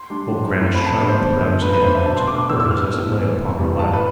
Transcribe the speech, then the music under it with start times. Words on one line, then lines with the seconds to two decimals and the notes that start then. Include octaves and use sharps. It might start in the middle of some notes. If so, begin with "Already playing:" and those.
Old Grannis shyly put out his hand and took hers as it lay upon her lap.
Already playing: C6
0.10 G3 D4
0.32 F3
0.53 A3 C4 E4
0.75 F3 B5
0.86 A5
0.97 B3 B5
1.01 D4
1.08 C5
1.19 D3
1.41 F3 A3
1.62 D3 B4
1.73 B4
1.84 A3 D4 C5
1.95 E5
2.05 B2 A5
2.16 C6
2.27 B3 D6
2.31 D4
2.38 D6
2.49 A2 E6
2.60 E6
2.71 G3 B3 D4 F6
2.82 E6
2.92 A2
3.14 E3 A3
3.36 C3
3.58 E3 G3
3.79 A2 A5
3.93 B4